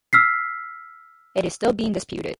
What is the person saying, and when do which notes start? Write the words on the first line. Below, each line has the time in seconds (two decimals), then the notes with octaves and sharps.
It is still being disputed.
0.13 E6 F6 B6 C7